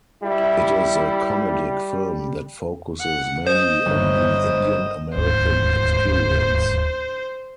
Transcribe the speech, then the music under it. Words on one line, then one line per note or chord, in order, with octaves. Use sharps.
It is a comedic film that focuses mainly on the Indian American experience.
G3 E4
F#5
C5 D#5
G1
D#1 D2 G#2 C5